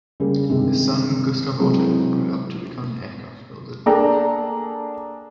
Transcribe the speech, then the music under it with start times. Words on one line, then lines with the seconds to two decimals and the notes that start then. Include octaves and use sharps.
His son Gustav Otto grew up to become an aircraft builder.
0.20 C#3 G3 A#3 G#4
0.49 G2 C3 D#3 G#3
1.59 C3 E3 F#3 G#3 C4
3.86 A#3 D4 G#4 A4 G5 A#5